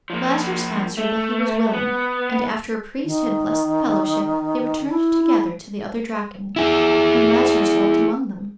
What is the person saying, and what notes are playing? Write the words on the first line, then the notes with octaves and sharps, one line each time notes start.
Lazarus answered that he was willing, and after a priest had blessed the fellowship, they returned together to the other Draken, and Lazarus dwelt among them.
F3 A#3
A3
B3
D#3
E4
E4 G#4